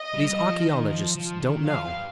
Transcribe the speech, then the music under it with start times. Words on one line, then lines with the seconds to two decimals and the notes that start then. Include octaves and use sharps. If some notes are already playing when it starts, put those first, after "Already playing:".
These archaeologists don't know.
Already playing: D#5
0.14 G3
0.31 G3
0.39 F3
0.65 D#3
0.90 F3
1.15 F3
1.40 D#3
1.66 F3 F5
1.86 G2